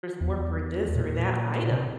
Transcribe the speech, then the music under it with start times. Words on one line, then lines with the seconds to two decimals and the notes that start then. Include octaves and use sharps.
more for this or that item."
0.21 E2
0.95 A#2
1.71 C3